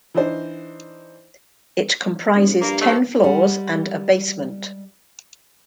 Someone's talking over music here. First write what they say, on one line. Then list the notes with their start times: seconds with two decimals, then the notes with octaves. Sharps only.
It comprises ten floors and a basement.
0.14 E3 D4 D#4 C5
2.34 E1
2.61 G2 A#3
2.81 G#2 C3 A3
3.24 G3 G#3 D5 F#5